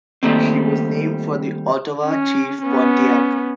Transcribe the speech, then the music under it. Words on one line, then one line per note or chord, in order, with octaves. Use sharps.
She was named for the Ottawa chief, Pontiac.
D#3 G3 A3 A#3 C4
C#4
B3 C#4